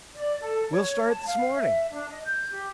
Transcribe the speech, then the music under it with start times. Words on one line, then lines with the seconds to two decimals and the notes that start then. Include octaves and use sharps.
We'll start this morning.
0.13 D5
0.40 A4
0.70 C#5
1.07 A5
1.26 F5
1.54 E5
1.90 D4
2.08 D#5
2.24 G6
2.49 G4